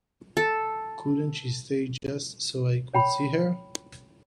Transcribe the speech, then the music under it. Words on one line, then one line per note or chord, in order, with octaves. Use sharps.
Couldn't she stay, just so I could see her?
A4
C#5 G5 B5